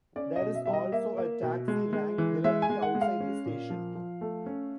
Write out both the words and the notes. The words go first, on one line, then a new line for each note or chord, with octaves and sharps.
There is also a Taxi rank directly outside the station.
C#4 D5
D#5
B2
E5
G3 E5
D#5
A#3 E5
A#3
B2
G#3
G#3
E3
G#3 E5
G#5
G#3
F#5
G#3
F5
C#4
A#2
F3
F3
A3
C#4